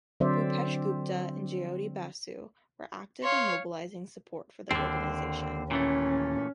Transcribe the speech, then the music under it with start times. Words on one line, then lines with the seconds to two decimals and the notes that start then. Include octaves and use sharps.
Bhupesh Gupta and Jyoti Basu were active in mobilizing support for the organization.
0.20 D3 F#3 C4 C5 D5 E5
3.23 C#5 F5 C6
4.71 D#2 D3 C4
5.71 A#2 E3 A3 C#4